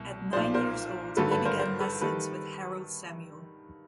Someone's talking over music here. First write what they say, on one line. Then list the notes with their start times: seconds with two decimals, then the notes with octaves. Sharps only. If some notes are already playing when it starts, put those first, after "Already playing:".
At nine years old he began lessons with Harold Samuel.
Already playing: C2 B2
0.33 B1 A#2 F3 C5 D5
0.54 A#4 C5
1.17 G#1 G2 D3 F#3 A4 B4
1.31 A4 B4
1.45 A#4 C5
1.59 A#4 C5
1.80 A4 B4
2.01 D#3 G3 A4 B4